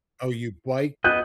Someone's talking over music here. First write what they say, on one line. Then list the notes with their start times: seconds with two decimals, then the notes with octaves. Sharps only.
Oh, you bi
1.04 B3 D#5 F#6 G6